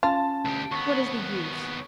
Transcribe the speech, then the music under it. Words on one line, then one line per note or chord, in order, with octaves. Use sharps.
What is the use?
C#4 F4 A5
D2 G4
D#2 B3 C#6